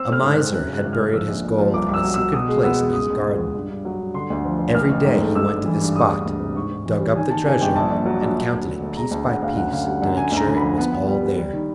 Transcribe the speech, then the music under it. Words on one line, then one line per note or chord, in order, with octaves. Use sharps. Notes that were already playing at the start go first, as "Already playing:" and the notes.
A Miser had buried his gold in a secret place in his garden. Every day he went to the spot, dug up the treasure and counted it piece by piece to make sure it was all there.
Already playing: C4 E6
A3 F6
G#2
F#6
C4
F#2 F#6
C#3
F#6
G#1
F6
G#1
F3 E6
A#1
A#1
F3
C2 D6
C2
E6
F#3
F#3 E6
B2 D#6
G#3
B3 E6
G#3
C#2 D#6
C#2
C#2
G#3
G2
G2
F#3
G2
D3 C6
D2
F3
F3
A1 F6
A1
G#2
A3
G#1 E6
G2
E3
G2
G#3 D#6
D2
D2
C3
G#2 C#6
G#2
E3
G3
D#3 G#5
D#3 A5
C3 G#5
G1 G5
A#1 A5
A#1
F#3
A#1
F#3
D2
D3
D2
G#3 A#5
D2 A5
D2 F#5
D2 F5
F#2 F#5
D3 F5
G3 F#5
F#2 F#5
D3 G#5
D2
A#5
D3
F3 B5
B3
B3
G3
G3
G3
D#3